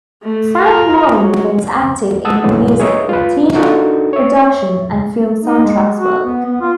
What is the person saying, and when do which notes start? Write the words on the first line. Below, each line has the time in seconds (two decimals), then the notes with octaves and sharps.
Frank Morin remains active in music, with teaching, production, and film soundtracks work.
0.23 A3
0.59 F4 A#4
1.16 F#3
2.25 F#5 A5 D#6 E6
2.44 D2 G#2 B2 E3 F#3 G#3
2.80 G#4 A#4 B4 C#5 D#5 E5
3.09 F4 B4
3.54 D4 D#4 F#4 A4 A#4
4.13 C#5 E5
5.44 D#4
5.64 G#3
5.97 F#4
6.23 B3
6.45 B3
6.61 F4